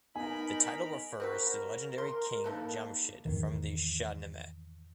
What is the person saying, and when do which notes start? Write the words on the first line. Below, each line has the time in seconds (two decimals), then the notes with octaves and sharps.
The title refers to the legendary king Jamshid from the Shahnameh.
0.16 B3 D#4 A#4 G#5 B5
1.20 C4 F#4 A#4 B4
1.98 C6
2.44 A#3 D#4 A4 B4
3.25 E2 G#2 D#3